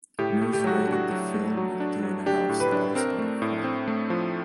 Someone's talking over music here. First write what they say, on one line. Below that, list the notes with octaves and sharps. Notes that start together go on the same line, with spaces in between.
News rated the film with two and half stars out of five.
A2 G4
A3
G4
F#3 F#4
D4 F#4
F#3
A3
F#3
D4
F#3
D4 G4
A2
B4
D4
C4 A#4
A3
A2
C4
A3
F3